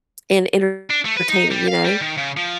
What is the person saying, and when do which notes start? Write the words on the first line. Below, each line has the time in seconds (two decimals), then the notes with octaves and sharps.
and entertaining, you know?
0.91 D4
1.06 A3
1.17 B4
1.29 D#4
1.51 G3
1.68 F5
1.85 G3
2.01 D#3
2.17 C#3
2.37 F3